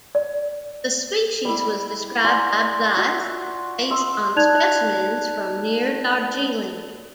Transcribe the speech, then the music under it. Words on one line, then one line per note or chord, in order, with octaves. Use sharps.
The species was described by Blyth based on specimens from near Darjeeling.
D5
G3 E4
D5 F#5 G#5 C6
F4 F#4 E5 F#5
E5 C6 D#6 E6
D#4 D5 A5 F#6 G#6 F7